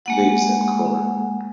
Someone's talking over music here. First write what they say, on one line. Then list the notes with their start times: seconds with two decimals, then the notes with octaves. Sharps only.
He lives in Khulna.
0.06 G#3 A#3 F#5